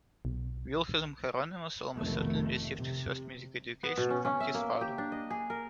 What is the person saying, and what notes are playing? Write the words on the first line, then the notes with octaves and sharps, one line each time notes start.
Wilhelm Hieronymus almost certainly received his first music education from his father.
B1
F1 B1 D#3 A3
C3
B3
B2
C#4
C#4
E5
A#3
G4
D4
D#5
G#4
A#4